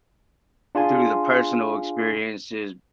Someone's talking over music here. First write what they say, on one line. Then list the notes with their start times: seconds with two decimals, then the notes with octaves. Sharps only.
through the personal experiences,
0.75 D4 F4 G#4 G#5 C6